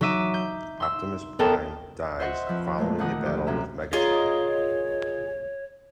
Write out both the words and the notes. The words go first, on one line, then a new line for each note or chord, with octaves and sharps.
Optimus Prime dies following a battle with Megatron.
F#3 D#4 E5 D6 D#7
G6
C6 E6
B3 A4 A#4 G5 A5
C5 D#5 E5 F#5 C6 C#6
F2 F3 B4 E6
A#2 G#3 A3
D2 D3 D#3 D#4 F#5 D#6
F2 F3 G4
F#2 C3 C#4 E5 A#5
F4 G#4 A#4 C#5 D#5